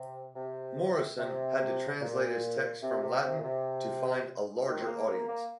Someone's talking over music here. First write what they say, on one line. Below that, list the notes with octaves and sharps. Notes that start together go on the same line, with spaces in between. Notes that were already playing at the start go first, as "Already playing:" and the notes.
Moryson had to translate his texts from Latin to find a larger audience.
Already playing: C3
C3
C3
A#2
C3
C3
C3
A#2
C3
D#3
C4
A#3
A#3
A#3